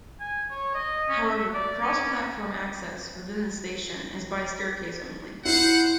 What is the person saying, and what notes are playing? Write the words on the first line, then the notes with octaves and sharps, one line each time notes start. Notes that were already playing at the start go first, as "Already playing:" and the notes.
However, cross-platform access, within the station, is by staircase only.
G#5
C#5
D#5
C#4
E5
D5
C#4
E4 C5 F#5